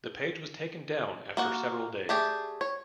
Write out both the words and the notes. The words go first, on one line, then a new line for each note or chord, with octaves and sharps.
The page was taken down after several days.
A#3 F#4 F#5
A3 G4 G#4 D5
C#5